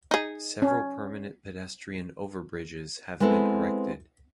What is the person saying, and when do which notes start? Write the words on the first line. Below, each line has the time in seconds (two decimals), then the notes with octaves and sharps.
Several permanent pedestrian overbridges have been erected.
0.11 D#4 G#4
0.62 C#4
3.20 G#3 B3 C4 E4 A4